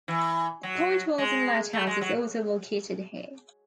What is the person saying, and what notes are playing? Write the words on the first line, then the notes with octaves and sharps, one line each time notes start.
The Point Wilson Lighthouse is also located here.
E3
F#3
G#3
A3
G#3
F#3